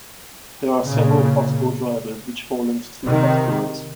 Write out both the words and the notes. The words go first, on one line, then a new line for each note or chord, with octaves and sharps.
There are several possible drivers, which fall into two categories.
A#2 C#3
C3 D#3